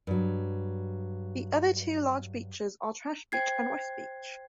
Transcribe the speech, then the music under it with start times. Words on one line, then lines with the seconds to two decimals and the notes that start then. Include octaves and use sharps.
The other two large beaches are Trash Beach and West Beach.
0.07 G2 F#3
3.32 C5 G5 G#6 C7